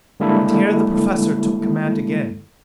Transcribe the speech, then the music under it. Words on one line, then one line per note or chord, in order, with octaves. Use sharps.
And here the Professor took command again.
D3 G3 G#3 A#3 E4 A4